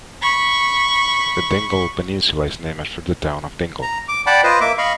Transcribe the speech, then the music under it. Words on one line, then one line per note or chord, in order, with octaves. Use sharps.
The Dingle Peninsula is named after the town of Dingle.
B5 C#6
A#5
D6
D5 F#5 G5 A5 B5 D6
F4 B4 C5 D#5
A#3 E5 D6
D#5 F5 B5 C#6